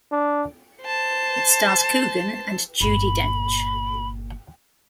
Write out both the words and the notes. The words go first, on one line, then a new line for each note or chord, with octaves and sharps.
It stars Coogan and Judi Dench.
D4
C5 A5
G1 A#2 B5